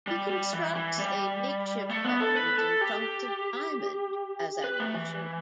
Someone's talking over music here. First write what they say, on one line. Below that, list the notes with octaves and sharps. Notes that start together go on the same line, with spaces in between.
He constructs a makeshift weapon, using chunks of diamond as ammunition.
G3
G3
E3
E3
G3
A3
B3
A4
B4
A4
G4
B4
A3
E3